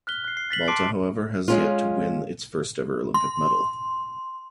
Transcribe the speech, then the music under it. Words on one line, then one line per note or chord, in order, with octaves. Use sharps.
Malta, however, has yet to win its first ever Olympic medal.
F6 F#6 B6 G7
F#6 C7
C7
A6 B6 F#7
A5 C6 D6 C7 D7
G#3 C#4 F4
C6